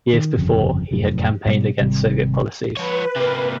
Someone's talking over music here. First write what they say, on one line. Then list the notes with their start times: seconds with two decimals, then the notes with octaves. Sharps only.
Years before, he had campaigned against Soviet policies.
0.13 D#3
0.37 G1 F2 C#3
0.91 F1 F#2 A2
1.45 G#2 B2 G3
1.80 G#1 C3 G3
2.77 F3 B4 C#5
3.16 C3 A#3